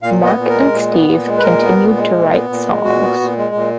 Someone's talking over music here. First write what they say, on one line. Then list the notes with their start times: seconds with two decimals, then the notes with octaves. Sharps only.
Mark and Steve continued to write songs.
0.02 A#2 F5
0.20 B3
0.26 D#5
0.37 A#2
0.49 A#4
0.55 G#3
0.72 A#2
0.91 B3
1.08 A#2
1.26 G#3
1.38 B4
1.43 A#2 A#4
1.61 B3
1.79 A#2
1.97 G#3
2.14 A#2
2.32 B3
2.50 A#2
2.66 G#3
2.84 A#2 F#4
3.02 B3
3.20 A#2
3.38 G#3
3.54 A#2